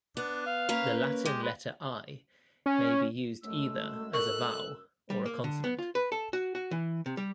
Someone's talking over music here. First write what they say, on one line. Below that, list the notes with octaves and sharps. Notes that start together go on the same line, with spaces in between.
The Latin letter "i" may be used either as a vowel or a consonant.
B3 D4
F5
A#3 C#4 B4
G#3 G4
B4
C#4
F#2 G#3 A3 E6
A4 A#4 C#6 F#6
G3
A#3
D3
B3
F4
B4
A4
F#4
F#4
E3
C3
G3